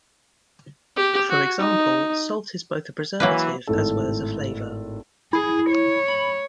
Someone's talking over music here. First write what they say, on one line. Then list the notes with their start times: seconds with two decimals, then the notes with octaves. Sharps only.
For example, salt is both a preservative as well as a flavor.
0.96 G4
1.29 F#4
1.59 D#4
3.20 E3 F#3 A#3 B4
3.67 G#1 A2 A4
5.33 E4 G#4
5.70 C#5
6.08 B5